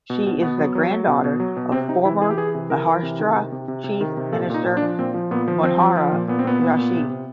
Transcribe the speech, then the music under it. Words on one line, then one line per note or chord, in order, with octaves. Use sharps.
She is the granddaughter of former Maharashtra Chief Minister Manohar Joshi.
B2
B2
B2 B3
F#3
F#3
F#3
B2
B2
F#3
B2
C3 C4
C3 D#4
E3 E4
E3 G#4
G4
E3 G#4
C3
E3 A#4
E3
C3
D#3
C3
C3
C3
C3
D#3
C3
A#2 A4
A#2 D#4
A#2
D4
F3
A#2 C4
F3
A#2 B3
F3
F3 C4
F3
F3
A#2
A#2 B3
C4
A#2 B3
A#2
A#2
C3
C3